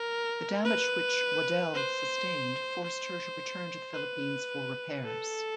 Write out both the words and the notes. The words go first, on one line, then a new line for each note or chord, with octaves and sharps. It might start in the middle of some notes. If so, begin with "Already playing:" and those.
The damage which "Waddell" sustained forced her to return to the Philippines for repairs.
Already playing: A#4
B4
C5
C5
B4
A4